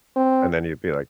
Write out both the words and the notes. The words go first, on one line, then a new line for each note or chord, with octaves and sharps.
and then you'd be like,
C4